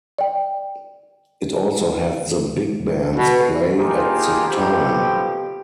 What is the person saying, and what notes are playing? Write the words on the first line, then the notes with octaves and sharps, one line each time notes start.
It also had the big bands play at the time.
D5 G5
B2
A#3 D4 D#4 F4 G4 G#4
F2 B2 F3 G4